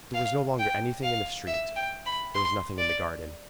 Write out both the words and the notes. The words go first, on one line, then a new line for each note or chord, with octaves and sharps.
There was no longer anything in the street; there was nothing in the garden.
F5
G5
F5
E5
G5
B5
C6
D5